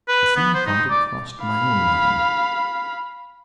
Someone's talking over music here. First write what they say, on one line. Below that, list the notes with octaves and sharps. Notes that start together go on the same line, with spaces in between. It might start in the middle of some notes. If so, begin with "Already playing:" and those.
The same thought had crossed my own mind.
B4
B3
C5
D#4
D5
F5 B5